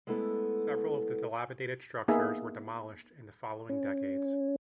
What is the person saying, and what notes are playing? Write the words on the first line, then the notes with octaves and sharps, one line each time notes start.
Several of the dilapidated structures were demolished in the following decades.
G#3 A3 B3 E4 A4
A#3 B3 D#4 G#4 B4 E5
C#4